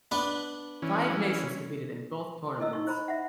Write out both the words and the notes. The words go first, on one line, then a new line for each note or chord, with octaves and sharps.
Five nations competed in both tournaments.
B3 D4 B4
E3 C#4
E4 A4 D#5 E6
D#4 C#6
C5 A#5 B5
E5 F#5